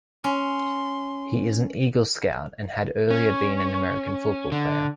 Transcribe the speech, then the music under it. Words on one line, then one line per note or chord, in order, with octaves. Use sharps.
He is an Eagle Scout and had earlier been an American football player.
C#4 C6
C#4
D3